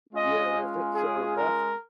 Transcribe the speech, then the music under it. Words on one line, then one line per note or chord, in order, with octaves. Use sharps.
yeah, so that's
G#3 C#4 F4 D#5
G#4
A#4